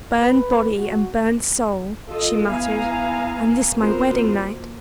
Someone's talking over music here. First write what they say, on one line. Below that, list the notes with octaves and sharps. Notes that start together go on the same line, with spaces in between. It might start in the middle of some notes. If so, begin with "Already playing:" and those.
"Burned body and burned soul," she muttered, "and this my wedding night!"
B4
F#4
F4 A4 D#5
B3 E4 F5 G#5 A#5
B3 C4 F4 F#4 A#4 C5
A#3